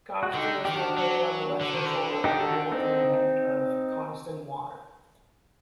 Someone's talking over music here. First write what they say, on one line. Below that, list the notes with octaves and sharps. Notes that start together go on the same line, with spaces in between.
Coniston is located on the western shore of the northern end of Coniston Water.
F#4
D3 D#4 G4
D#3 G4
D4 F#4
F#3
D3
D#3
D3
D#4 G4
F#4 A4
C4 D#4